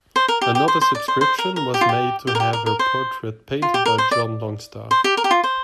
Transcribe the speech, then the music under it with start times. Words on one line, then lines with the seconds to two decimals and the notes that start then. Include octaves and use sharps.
Another subscription was made to have her portrait painted by John Longstaff.
0.16 C5
0.28 A#4
0.41 G4
0.55 G4
0.68 C5
0.81 C5
0.95 D5
1.08 C5
1.21 C5
1.38 A#4
1.56 A#4
1.74 G4
1.81 F4
1.89 G4
2.27 G4
2.35 A#4
2.40 G4
2.53 A#4
2.66 A#4
2.79 C5
3.62 F4
3.74 G4
3.86 A#4
3.98 C5
4.11 D5
4.91 C5
5.04 G4
5.17 A#4
5.24 G4
5.31 F4
5.44 C5